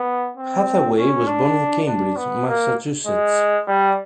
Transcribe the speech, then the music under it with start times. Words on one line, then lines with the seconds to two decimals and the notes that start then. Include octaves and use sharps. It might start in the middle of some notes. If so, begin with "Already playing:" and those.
Hathaway was born in Cambridge, Massachusetts.
Already playing: B3
0.37 C4
0.97 C#4
1.27 D4
1.87 D4
2.16 B3
2.47 A#3
3.07 G#3
3.67 G3